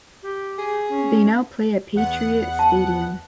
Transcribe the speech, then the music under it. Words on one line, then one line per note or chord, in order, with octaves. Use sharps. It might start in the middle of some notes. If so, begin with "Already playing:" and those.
They now play at Patriot Stadium.
G4
G#4
C#4
E2 B3 F#5
A5